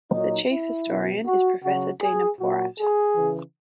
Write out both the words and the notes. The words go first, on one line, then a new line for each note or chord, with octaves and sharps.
The Chief Historian is Professor Dina Porat.
A#2 F#3 D#4
E4
B2 F#3
F#4
C#3 F#3 F#4
G#4
A#2 F#3 F#4
G#4
C#3 E3